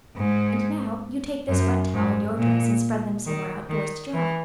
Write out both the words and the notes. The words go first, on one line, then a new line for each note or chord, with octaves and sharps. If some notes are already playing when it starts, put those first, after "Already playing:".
And now you take this wet towel and your dress and spread them somewhere outdoors to dry.
G#2
F#2
G#2
A#2
D#3
D#3
E3